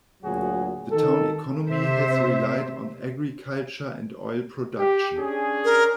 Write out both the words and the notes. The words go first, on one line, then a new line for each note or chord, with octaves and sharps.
The town economy has relied on agriculture and oil production.
D2 A#2 F#3 F#4 G#4
D#3 A4
C3 C5 E5
G4
C#4 D4 G#4
A#4